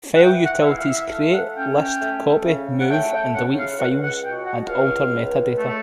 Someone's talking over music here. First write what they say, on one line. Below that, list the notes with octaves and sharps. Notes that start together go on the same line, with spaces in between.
File utilities create, list, copy, move and delete files, and alter metadata.
F#5
E3 G5
F#5
E5
E3 F5
F5
E5
A3 F5
F5
F#5
C#4 G5
G5
A3
C#3
F#5
A3 G5
G5
C#3 F#5
F5
C#2 F#5
F#5
B2 G5
F#5
C#2 F5
C#2
A3